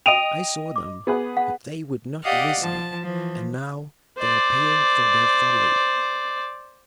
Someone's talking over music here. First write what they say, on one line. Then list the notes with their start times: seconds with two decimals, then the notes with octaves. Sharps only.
I saw them, but they would not listen, and now they are paying for their folly.
0.06 D#5 G5 D#6 D7 D#7 F7
0.76 D6
1.07 B3 G#4 B4
1.37 F#5
2.23 G4 D5 D#5 F5 F#5
2.61 F3 A5
3.04 E3 F3
4.18 C5 D5